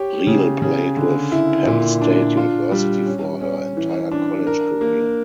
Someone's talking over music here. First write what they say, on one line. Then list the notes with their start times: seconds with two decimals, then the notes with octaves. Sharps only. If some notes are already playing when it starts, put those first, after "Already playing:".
Riehl played with Penn State University for her entire college career.
Already playing: G4 C#5
0.27 C#3
0.62 C#3
0.97 D3
1.32 E4
1.67 A#2
2.02 D4
2.37 F4
2.72 G3
3.06 C#4
3.41 C#4
3.77 E3
4.12 D4
4.47 A#4
4.81 A#3